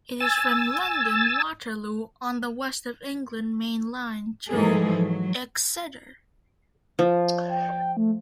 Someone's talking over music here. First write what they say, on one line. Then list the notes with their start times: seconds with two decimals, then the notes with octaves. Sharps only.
It is from London Waterloo on the West of England Main Line to Exeter.
0.20 G#5 E6 A6
4.49 G#2 E3 F3 G3 G#4 A4
4.96 F#3
6.99 F3
7.49 G5
7.97 A3